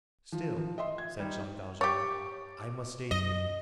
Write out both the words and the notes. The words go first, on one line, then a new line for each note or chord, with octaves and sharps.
"Still," said Jean Valjean, "I must stay here."
F3
F3
D#5 E5 C6
G#6
G3 D#4
G4 C#5 C#6 D6 A6
F#2 D#5